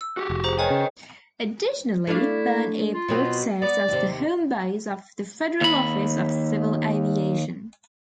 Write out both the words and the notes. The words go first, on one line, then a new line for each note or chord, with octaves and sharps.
Additionally, Bern Airport serves as the homebase of the Federal Office of Civil Aviation.
E6
F#4 G4
F1
G#4 C5 A#5
B4 C#5 D#5 G5 G#5
C#3
A3 D4 E4 F5
F4
B2 F#3 C4
B3 D5
D#2 C3
D#2 B5